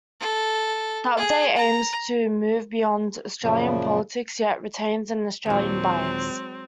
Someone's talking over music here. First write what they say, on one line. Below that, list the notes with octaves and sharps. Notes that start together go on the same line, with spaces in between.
The update aims to move beyond Australian politics, yet retains an Australian bias.
A4
G#4
A#5
F#2 A#2 C#3 F3
D#2 A#2 F#3 G#3 C4